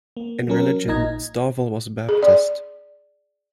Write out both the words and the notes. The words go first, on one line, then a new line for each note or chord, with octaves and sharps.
In religion, Stovel was a Baptist.
A#3
F#3 C#4 A#4
A1 A#2 D#4 D#5 A#5 G#6
G#4
D5